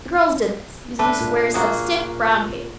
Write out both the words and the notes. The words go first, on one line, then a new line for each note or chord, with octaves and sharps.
The girls did this, using squares of stiff brown paper.
A3 D4 B4
A#2
A#3 F#4 G#4